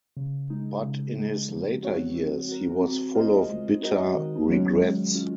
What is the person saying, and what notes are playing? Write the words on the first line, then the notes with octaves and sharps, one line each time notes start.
But in his later years he was full of bitter regrets.
C#3
G#3 D#4
C#3
G#3 D#4
F3
C4 F#4 C#5
C4
F#4 A#4
C4
F4 C5 D#5
G#3
D#4 F#4 A#4 D#5
D#3
F#3 C#4 F#4 C#5
G#3
C#4 F4